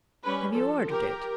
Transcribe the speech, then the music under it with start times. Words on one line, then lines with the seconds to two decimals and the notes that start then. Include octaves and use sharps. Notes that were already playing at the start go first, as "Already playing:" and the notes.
Have you ordered it?'
0.23 G3 C#4 B4
0.52 F3 A4
0.88 G4 A#4